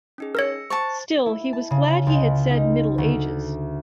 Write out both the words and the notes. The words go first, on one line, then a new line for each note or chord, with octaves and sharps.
Still, he was glad he had said "Middle Ages."
C#4 D#4 G#4
A#4 C#5 E6 A#6 C#7
C5 A5 C#6 A6
E4
A5
C#3
C#2
D#4
D2